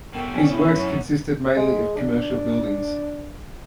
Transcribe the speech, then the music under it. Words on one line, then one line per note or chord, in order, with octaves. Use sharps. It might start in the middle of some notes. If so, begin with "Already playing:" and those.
His works consisted mainly of commercial buildings.
B2 A3 A#4 G5
C#4 D5
E4
F#2 C#5
G#3
D4